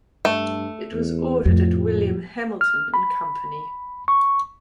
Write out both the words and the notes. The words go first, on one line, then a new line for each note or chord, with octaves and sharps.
It was ordered at William Hamilton and Company.
G2 A3
E2
F2 A2 F3
F6
B5
C#6